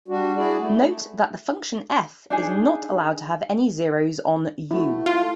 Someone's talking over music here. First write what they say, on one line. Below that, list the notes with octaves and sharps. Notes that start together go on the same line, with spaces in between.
Note that the function "f" is not allowed to have any zeros on "U".
G3 D4 F#4
E4 F#4 G#4 D5
A3
D4 D#4 G#4
A3 E4 F#4
F4